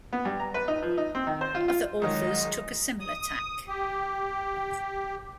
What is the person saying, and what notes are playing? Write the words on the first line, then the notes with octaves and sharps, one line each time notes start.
Other authors took a similar tack.
B3
G2
A#5
B4
D#4
F3
D#4
C4
D#3
C5
F4
F4
C2 D#3 F#3 G#3 D#5
D#6
G4